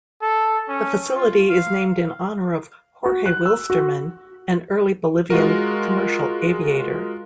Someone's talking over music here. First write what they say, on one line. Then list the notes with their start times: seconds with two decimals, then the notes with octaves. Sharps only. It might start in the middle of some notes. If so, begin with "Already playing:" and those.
The facility is named in honor of Jorge Wilstermann, an early Bolivian commercial aviator.
0.22 A4
0.68 C#4
1.15 F4
1.49 F5
3.06 F#4
3.26 F#6
3.46 E6
3.70 F#4
5.30 G#3 F4 F#4 A#4